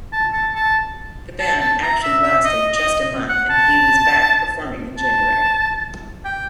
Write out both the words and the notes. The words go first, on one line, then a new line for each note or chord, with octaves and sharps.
The ban actually lasted just a month as he was back performing in January.
A5
A5
A5
A5
A5
A#5
E5
E5
D#5
D#5
F#5
A5
A5
G5